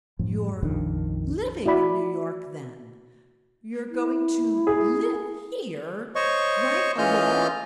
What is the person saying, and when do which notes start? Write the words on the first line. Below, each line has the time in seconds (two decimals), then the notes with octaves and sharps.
"You're LIVING in New York, then--you're going to live here right along?"
0.19 F#2 A2 F3
0.62 A#1 F2 D#3 D4
1.66 E4 F#4 D5 B5
3.90 E4
4.67 G#4
6.15 C5 C#5 D#5 C#6
6.98 E3 C#4 F4 D#5 F6 G6